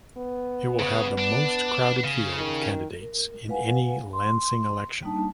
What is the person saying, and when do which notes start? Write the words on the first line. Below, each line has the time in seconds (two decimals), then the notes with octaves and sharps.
It will have the most crowded field of candidates in any Lansing Election.
0.18 B3
0.79 C#3
1.19 D4
2.04 C#3
2.38 D#3
3.01 A#4
3.49 B4 F5 F#5 G#5
4.13 C6
5.02 G3 A#3 D4 D#4 A5